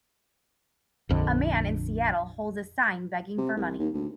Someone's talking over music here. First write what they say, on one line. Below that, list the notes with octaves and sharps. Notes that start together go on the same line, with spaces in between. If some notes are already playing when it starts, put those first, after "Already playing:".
A man in Seattle holds a sign begging for money.
A#1 F2 D3
C3
C2
D#2
D2